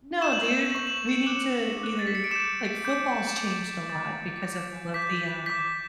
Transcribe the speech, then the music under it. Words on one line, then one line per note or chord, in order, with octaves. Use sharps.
"No, dude, we need to either" Like, football's changed a lot because of all of the, um
C#6 E6 G6 E7
F#7
E7
F#7
E7
C#6 E6 G6 F#7
E7
F#7
C#7 E7
D6 F#6 C#7 E7
D6 F#6
A6
B6
C#7
D7
D6 G6 C#7 E7
D6 G6
D6 G6
D6 G6 A6
D6 G6
D6 G6 B6
D6 G6 B6